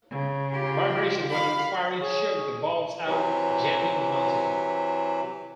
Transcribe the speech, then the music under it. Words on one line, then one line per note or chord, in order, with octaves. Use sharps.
Vibration when firing shook the balls out, jamming the mounting.
C#3
F4 G4
F5 B5
G#4 C#5
C3 E3 F#3